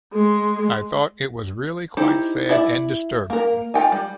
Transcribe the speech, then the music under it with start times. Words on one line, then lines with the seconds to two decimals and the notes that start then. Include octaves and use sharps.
I thought it was really quite sad and disturbing.
0.14 G#3
1.97 D#4 E4 G4 C5
2.49 E4 D5 E5
3.30 A#3 A#4
3.74 F4 G5 G#5
3.92 G3